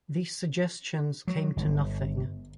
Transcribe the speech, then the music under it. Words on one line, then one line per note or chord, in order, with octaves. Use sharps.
These suggestions came to nothing.
F#3
G1